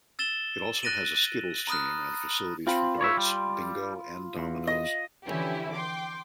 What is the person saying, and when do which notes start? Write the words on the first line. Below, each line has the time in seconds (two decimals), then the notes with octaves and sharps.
It also has a skittles team and facilities for darts, bingo and dominoes.
0.19 E6 A6 E7 G7
0.82 F#6 A6 A#6 D7 D#7 F#7
1.67 A#5 B5 D#6 F6 F#6
2.67 C4 F4 B5
3.01 C#5 D5 E5
3.17 G3
4.37 E2
4.67 D#5
5.26 D3 E3 F3 C#4 E4 G4
5.72 G5 C6 D6